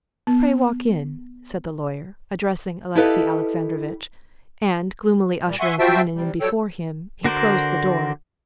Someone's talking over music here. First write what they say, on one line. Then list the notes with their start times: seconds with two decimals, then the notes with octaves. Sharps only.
"Pray walk in," said the lawyer, addressing Alexey Alexandrovitch; and, gloomily ushering Karenin in before him, he closed the door.
0.27 B3
2.95 E4 G4 A4 B4 D#5 F5
5.46 A#2 G3
5.60 E5 F#5 G#5 C6 C#6
5.79 F4 F#4 C5 E5 G5 A5
6.15 C3 G3
6.41 F#3 G3 A4 C#5 G5 E6
7.24 D3 F#4 A#4 C5 D5